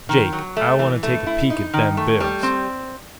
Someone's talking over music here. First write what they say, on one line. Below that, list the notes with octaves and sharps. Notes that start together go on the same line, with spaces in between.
"Jake, I wanta take a peek at them bills."
D#3
F#3
A3
E3
A3
E4
D#4
D#3
A3
G3
C4